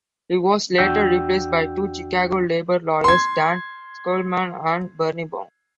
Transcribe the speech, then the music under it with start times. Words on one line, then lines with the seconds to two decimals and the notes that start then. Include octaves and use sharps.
He was later replaced by two Chicago labor lawyers, Dan Schulman and Bernie Baum.
0.78 E2 D4 F#4 G5 E6 G6
3.04 C6 G#6